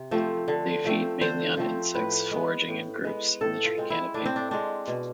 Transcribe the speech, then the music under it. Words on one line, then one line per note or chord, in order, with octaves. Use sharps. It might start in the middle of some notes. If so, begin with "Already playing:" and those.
They feed mainly on insects, foraging in groups in the tree canopy.
Already playing: C3
F3 A3 C4
D3
F3 A3 C4
D3 C5
F3 A3 C4
A2 B4
G#3 B3
A2
G#3 B3
A2 A4
F4
G#3 C4
E4
A2 D4
C4
D4
G#3 C4 D4
B2